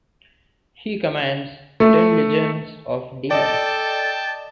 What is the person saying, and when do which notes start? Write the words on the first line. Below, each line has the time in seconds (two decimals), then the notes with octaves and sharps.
He commands ten legions of demons.
1.80 A3
3.31 A4 D5 D#5 G5 A5